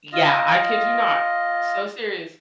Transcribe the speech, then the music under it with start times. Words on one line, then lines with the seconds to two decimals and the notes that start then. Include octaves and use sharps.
Yeah, I kid you not. So serious.
0.12 F4 D#5